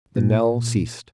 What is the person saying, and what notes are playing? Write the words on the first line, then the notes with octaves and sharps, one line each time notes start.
The knell ceased.
A#2